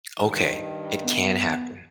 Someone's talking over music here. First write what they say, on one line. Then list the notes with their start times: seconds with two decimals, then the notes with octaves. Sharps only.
Okay. It can happen.
0.18 G2 D#3
1.04 B3